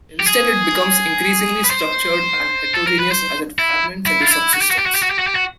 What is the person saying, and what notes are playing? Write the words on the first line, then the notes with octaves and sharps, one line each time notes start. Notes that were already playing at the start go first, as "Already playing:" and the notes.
Instead it becomes increasingly structured and heterogeneous as it fragments into subsystems.
G4
G#4
B4
C5
A4
A#4
B4
C5
E4
E4
F4
E4
F#4
G4
F#4
G4
F#4
G4
F#4
G4
F#4
G4
F#4